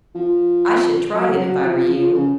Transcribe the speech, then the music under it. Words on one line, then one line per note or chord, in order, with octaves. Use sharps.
I should try it if I were you.
F3
F#3
F#3
F3
F3
C#3